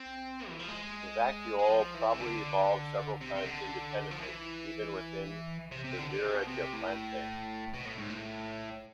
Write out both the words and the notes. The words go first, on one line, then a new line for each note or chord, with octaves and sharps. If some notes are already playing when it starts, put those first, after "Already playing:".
The vacuole probably evolved several times independently, even within the Viridiplantae.
Already playing: C4
E3
F3
G#3
G#3
F3
E3
C3
D3
C3
C3
D3
F3
E3
C3
C3
D3
D3
C3
B2
C3
A2
B2
A2
G#2
A2